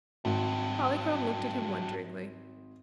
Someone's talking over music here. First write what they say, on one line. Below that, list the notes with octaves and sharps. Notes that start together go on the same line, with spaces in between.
Polychrome looked at him wonderingly.
G#1 G2 F#3